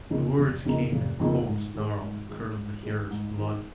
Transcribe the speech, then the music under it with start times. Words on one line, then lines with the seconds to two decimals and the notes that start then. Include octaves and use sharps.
The words came in a cold snarl that curdled the hearer's blood.
0.10 F2 C#3 A#3 D#4
0.38 F1
0.65 F2 C#3 A#3 D#4
0.92 F1
1.20 F2 C#3 A#3 D#4
1.47 G#2
1.74 D#3 G#3
2.01 G#2
2.29 D#3 G#3
2.56 G#2
2.83 D#3 G#3
3.11 G#2
3.38 D#3 G#3